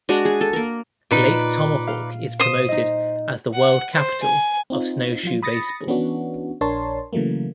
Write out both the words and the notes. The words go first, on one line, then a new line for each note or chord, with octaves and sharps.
Lake Tomahawk is promoted as the "World Capital of Snowshoe Baseball".
G#3 D4 F#4
G#4
A4
A#3 A#4
A#2 D#4 B4 D5
F5
C5 D#6
D#4 D#5
F#5
C5
G#5
C4 D#4 F4
F3 F#3 F4
B5 D#6 A6 A#6 C#7
E3 B3 C#4 D4 F#4
A#1 D4 A#4 C#5 A5 C6
C#3 E3 F#3 A3 A#3